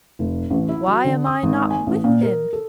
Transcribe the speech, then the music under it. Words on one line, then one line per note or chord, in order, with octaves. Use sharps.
Why am I not with him?
F1
A1
E4
F#3
D3
D#6
G#1
G#5
A1
A#2
A#4
A4